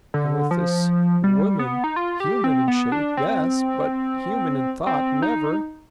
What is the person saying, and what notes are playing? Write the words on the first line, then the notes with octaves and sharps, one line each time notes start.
And with this--woman--human in shape, yes, but human in thought--never.
D3
F3
G3
B3
D#4
F4
G4
C4
B3
D4
C4
C4
D#4